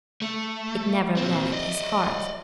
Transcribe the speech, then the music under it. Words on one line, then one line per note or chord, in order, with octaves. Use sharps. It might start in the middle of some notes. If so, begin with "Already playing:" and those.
It never left his heart.
A3
A#2 C4
D5 D#5